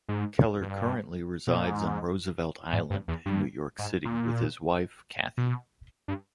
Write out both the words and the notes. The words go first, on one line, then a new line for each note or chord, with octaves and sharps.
Keller currently resides on Roosevelt Island in New York City with his wife, Kathy.
G#2
G2
B2
A#2
G#2
G#2
G2
E2
G2
G#2
A#2
B2
G2